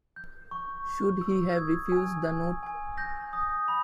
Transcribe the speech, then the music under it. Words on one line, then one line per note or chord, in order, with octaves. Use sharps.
Should he have refused the note?
G6
C#6
C#6
E6
D#6 G#6
G#5
G#5
G#5
G6 A#6
D#6
B5